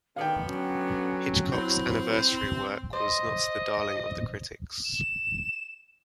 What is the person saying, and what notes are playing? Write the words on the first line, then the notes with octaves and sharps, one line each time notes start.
Hitchcock's anniversary work was not the darling of the critics.
D3 D#3 B3 F5 G5
F#3 C#4
C4 E4
C5 D#5
E7